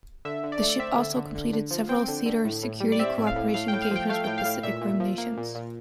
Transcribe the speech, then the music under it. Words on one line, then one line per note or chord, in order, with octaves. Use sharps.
The ship also completed several theater security cooperation engagements with Pacific Rim nations.
D3 E5
D3
D5
A3
D5
C4 E5
D3
D3
D3
D3
F3
C4 G5
D3
D3
A2
A2
G3
D5
C4 E5
A2
F5
A2
A2 F5
A2 G5
F5
F3 G5
A3 F5
A2 G5
F5
A2
A#2 E5
A#2
F3
A#3
A#2
A#2